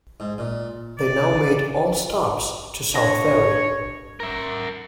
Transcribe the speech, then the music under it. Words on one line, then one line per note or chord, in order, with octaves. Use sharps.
They now made all stops to South Ferry.
G#2
A#2
D5
D4 C#5 A#6
A#4 E5